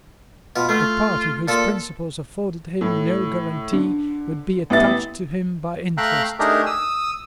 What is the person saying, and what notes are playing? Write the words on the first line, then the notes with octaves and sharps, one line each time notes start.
The party whose principles afforded him no guarantee would be attached to him by interest.
B2 F4
A3 F4
A#2 F4 A4
A2
D3
A1 E3 B3 E5 A6
A3 E5 F5 G5 A#5 F#6
A3 D4 D#4 G4 G#4 A#4
D#6 E6